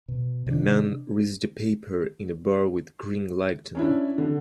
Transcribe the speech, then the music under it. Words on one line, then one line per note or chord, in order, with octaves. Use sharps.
A man reads the paper in a bar with green lighting.
B2
C3 D#3 D4
C#4 D4 E4
D3